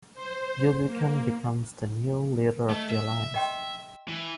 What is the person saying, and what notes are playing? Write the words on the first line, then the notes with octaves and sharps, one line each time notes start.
Yue Buqun becomes the new leader of the alliance.
C5
A#3
A3 D#5
E5
D#5 G5 C6
E3